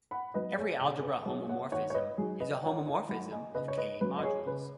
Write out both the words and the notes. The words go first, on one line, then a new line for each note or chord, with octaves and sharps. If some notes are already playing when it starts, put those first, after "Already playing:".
Every algebra homomorphism is a homomorphism of "K"-modules.
F#5 B5
F#3 B3 D#4 B4 D#5
G#4 C#5
B2 G#4 C#5
G#4
B4
F#3 B3 D#4 G#4 C#5
C#5 F#5
D#3 C#5 F#5
C#5
B4 D#5
F#3 D#4 G#4
B4 D#5
D#3 C#5 F#5
D#5 G#5
F#3 D#4 F#5 B5
D#5 G#5
C#3 B4 D#5
C#5
B4 D#5
F#3 C#4 B4
D#5
G#4 C#5
C#3 B4